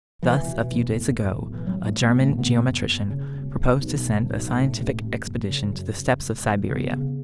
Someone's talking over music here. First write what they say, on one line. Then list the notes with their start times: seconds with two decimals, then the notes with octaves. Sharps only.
Thus, a few days ago, a German geometrician proposed to send a scientific expedition to the steppes of Siberia.
0.23 E1 E3
0.47 B2
0.71 E2
0.94 A2
1.19 A2
1.43 B1
1.54 E3
1.66 A1 F#3
1.84 A3
1.90 A1
2.02 B3
2.15 A2
2.21 A3
2.38 C#3 B3
2.62 F#1
2.86 F#1
3.10 C#3
3.34 E1
3.57 E1
3.82 B1
4.05 A2
4.29 B1
4.54 A2
4.77 A1
5.01 A1
5.25 F#1
5.49 C#3
5.73 F#2
5.97 C#3
6.21 E1
6.44 E1
6.68 C#3 B3
6.92 C#3